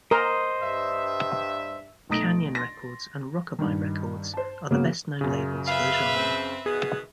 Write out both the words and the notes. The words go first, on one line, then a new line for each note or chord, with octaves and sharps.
Canyon Records and Rock-A-Bye Records are the best known labels for the genre.
A#4 C5 D#5
G2 E5
B1 A3 A#5 D#6 A#6 D7
C6 A6 A#6
G2 D#3
C5 A5
C#3 F#3 A#3 B3
F#2 C#3
B4 E5 F5
C4
B2 D#3 B3 G#4